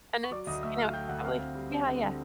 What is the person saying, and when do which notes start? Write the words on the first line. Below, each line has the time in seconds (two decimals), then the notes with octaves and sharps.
And it's, you know, probably Yeah, yeah.
0.24 C#6
0.31 F#3 D5 D6
0.47 D2 D#5 D#6
0.63 A3 E5 E6
0.78 A3 F5 F6
0.93 F#3 G5 G6
1.09 D2 F#5 F#6
1.24 C4 F5 F6
1.39 C4
1.55 G3
1.71 C4
1.86 D3
2.02 D3